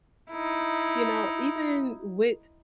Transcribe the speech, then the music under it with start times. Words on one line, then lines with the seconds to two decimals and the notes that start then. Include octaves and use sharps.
you know, even wit
0.31 D#4 E4